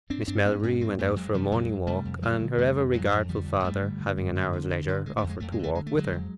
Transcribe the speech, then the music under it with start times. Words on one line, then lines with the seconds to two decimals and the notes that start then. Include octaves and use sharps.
Miss Melbury went out for a morning walk, and her ever-regardful father, having an hour's leisure, offered to walk with her.
0.10 G2 C4 D4
0.28 G2 C4 D4
0.45 G2 B3 C#4
0.63 G2 B3 C#4
0.81 F2 A#3 C4
0.98 F2 A3 B3
1.16 F2 F#3 G#3
1.34 C3 F3 G3
1.52 F2 F#3 G#3
1.69 F2
1.87 C3 G3 A3
2.05 F2
2.22 D3 F#3 G#3
2.40 D3
2.58 F2 G3 A3
2.76 D3
2.93 F2 F#3 G#3
3.11 F2
3.29 D3 F3 G3
3.46 F2
3.64 G2 G3 A3
3.82 D3
4.00 D3
4.17 G2
4.35 D3
4.53 D3
4.70 D3
4.88 D3
5.06 D3 G#3
5.17 A3
5.24 F2
5.29 G#3
5.40 F2 A3
5.52 G#3
5.59 D3 A3
5.75 D3 G#3
5.87 A3
5.94 D3 F#3 G#3
6.13 F2